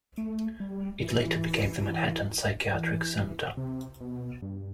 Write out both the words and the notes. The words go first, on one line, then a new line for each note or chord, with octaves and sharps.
It later became the Manhattan Psychiatric Center.
A3
G3
E3
E3
C3
B2
G2